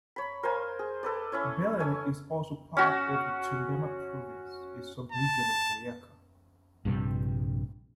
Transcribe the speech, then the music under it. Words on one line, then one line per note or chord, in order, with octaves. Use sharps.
Belen is also part of the Tundama Province a subregion of Boyaca.
C#5 B5
A#4 C5 F5 G#5
G#4
A4 B4 D5
C#4 E4 C#5
A4 C#5 G#5
C#4 F#4
A5
A#1 G2 C3 G3